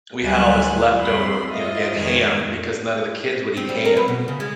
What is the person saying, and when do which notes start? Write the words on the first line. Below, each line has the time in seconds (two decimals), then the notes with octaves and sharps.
we had all this leftover, you know, again, ham, because none of the kids would eat ham;
0.21 D2 F#3 G3 B4 G#5 F#6
0.98 F2 G3 C4 B5 C6 E6
1.46 F4 D#5 E5
1.94 F2 D#3 G#3 G#6
3.57 C4
3.69 G3
3.85 A#4
3.97 B4
4.08 B2
4.28 C#3
4.40 G#3